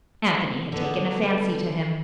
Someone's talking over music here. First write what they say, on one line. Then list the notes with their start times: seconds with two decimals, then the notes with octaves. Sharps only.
Anthony had taken a fancy to him.
0.72 D3 B3